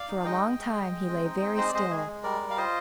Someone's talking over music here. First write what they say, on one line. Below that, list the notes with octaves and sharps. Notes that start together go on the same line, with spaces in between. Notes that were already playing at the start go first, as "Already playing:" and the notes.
For a long time he lay very still.
Already playing: D5 F5
D#4
G#3 D#5 G5
G#3
G#3
G#3
G#3
C4
D#4
C4
G#3 C5 D#5
D5
G#3 C5 D#5
G#3 G#4
G#3
G3 A#4 D5
G3
F5
F4 C5 D#5